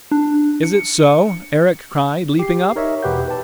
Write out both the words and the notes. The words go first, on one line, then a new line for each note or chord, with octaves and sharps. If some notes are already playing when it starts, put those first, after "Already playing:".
"Is it so?" Eric cried, leaping up.
D4
C#7
G4 C7
D#4 A#4 C#5 D#5 E5
E2 B2 G4 B4 F#5 G6
B4 G5 A5